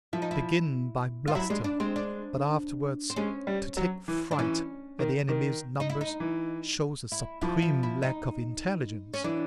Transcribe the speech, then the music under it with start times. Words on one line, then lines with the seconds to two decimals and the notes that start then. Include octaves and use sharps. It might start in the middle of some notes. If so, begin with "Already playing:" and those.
To begin by bluster, but afterwards to take fright at the enemy's numbers, shows a supreme lack of intelligence.
0.13 F3 E4
0.22 D#4
0.31 E4
1.28 F4
1.35 F#3 E4
1.50 G#3 D4
1.64 D4
1.80 G#3 C4
1.96 D4
3.10 C4
3.16 G#3 C#4
3.47 G3
3.77 F#3
4.08 E3
4.31 D4
4.38 E3 C#4
4.99 D#3
5.29 D#3
5.80 D#4
5.90 E4
6.01 D#4
6.20 E3
7.12 E4
7.41 F3 E4
7.62 E4
7.83 E4
8.02 D#4
9.14 C#4
9.24 E3 D4